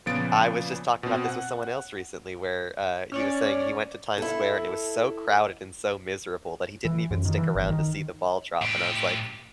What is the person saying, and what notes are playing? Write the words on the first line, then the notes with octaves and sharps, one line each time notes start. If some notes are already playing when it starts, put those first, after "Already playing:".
I was just talking about this with someone else recently, where, uh, he was saying he went to Times Square and it was so crowded and so miserable that he didn't even stick around to see the ball drop, and I was, like,
A#2 C#3 F3 B3 A6 D7
B2 C4
F#5
C#4 C#5 D5
E4 A4
E3
F#2
D#3
E3
G1
D#3
A2 G4